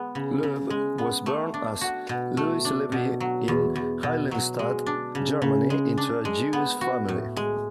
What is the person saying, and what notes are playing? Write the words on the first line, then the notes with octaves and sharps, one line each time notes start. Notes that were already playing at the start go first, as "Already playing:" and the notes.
Loewe was born as Louis Levy in Heiligenstadt, Germany into a Jewish family.
Already playing: G#3 B3
C#3
C#3
G#3
B3
A3
D4
F#4
B2
A3
D4
B2
F#3
E2
E2
B2
F#3
G#3
D4
C#3
C#3
G#3
D4
G#3
B3
F#4
A2
G#3